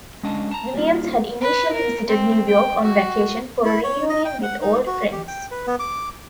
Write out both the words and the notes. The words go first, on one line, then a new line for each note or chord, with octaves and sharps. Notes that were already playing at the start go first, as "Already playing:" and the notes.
Williams had initially visited New York on vacation for a reunion with old friends.
G#3 C#4 D4 D#5 A5
A5 A#5
G3 A#3 D#4 F4
B4
A#4
C4
G5
F#4
E4
C#5
D#5
G5
F#5
D#4
F#4
G4
G5
B4
B3
D6